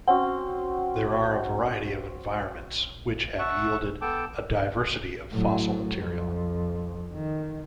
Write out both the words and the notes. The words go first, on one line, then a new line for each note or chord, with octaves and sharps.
There are a variety of environments, which have yielded a diversity of fossil material.
C4 C#4 F#4 F#5
E5 F#5 A5 C#6 F#6
B3 A4 G5 A5 D6
A2 F#3
F2
D#3